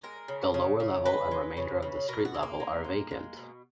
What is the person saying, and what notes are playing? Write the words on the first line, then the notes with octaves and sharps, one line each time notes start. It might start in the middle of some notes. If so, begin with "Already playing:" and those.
The lower level and the remainder of the street level are vacant.
G#3 A#4
C#3
C#3
C#3
G#3 B4
G#3
C#3
C#3
B2 A#4
F#4
G#3
A#3
G#3
G#3
G#3
B2